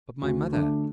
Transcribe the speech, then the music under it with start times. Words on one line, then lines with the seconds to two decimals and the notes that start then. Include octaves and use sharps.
"But my mother?"
0.22 D2
0.53 D3 A3 D4